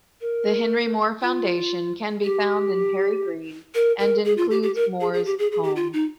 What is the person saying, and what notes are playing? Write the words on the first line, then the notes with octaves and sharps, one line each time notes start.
The Henry Moore Foundation can be found in Perry Green, and includes Moore's home.
A#4
F4
G4
A#4
A#4
G#4
F4
G4
G4
A#4
G#4
G#4
G4
G#4
G#4
G4
F4
D#4